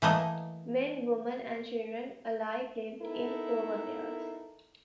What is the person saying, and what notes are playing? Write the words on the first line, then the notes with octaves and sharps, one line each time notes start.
Men, women and children alike lived in Hoovervilles.
E3 A3 A#3 D#5
B3 D#4 E4 A4 A#4